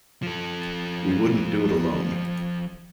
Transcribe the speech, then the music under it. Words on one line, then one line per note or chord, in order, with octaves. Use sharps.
We wouldn't do it alone.
F3 A4